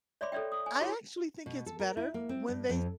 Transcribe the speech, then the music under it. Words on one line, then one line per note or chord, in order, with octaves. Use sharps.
I actually think it's better when they t
C#5 D5 E5 B5 C6 D6
A4 C#5 D5 E5 G5
D#6
G#5
E4 F#4 G#4 C#5 B5 C6
B2
A4
A#4
E4
A#3
C4
G2
F2